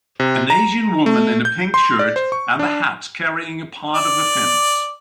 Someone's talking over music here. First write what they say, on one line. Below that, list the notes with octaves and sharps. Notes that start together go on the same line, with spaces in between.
An Asian woman in a pink shirt and a hat carrying a part of a fence.
C3
A#5
A3
G6
C6
D5
C5
C#6
D4
D5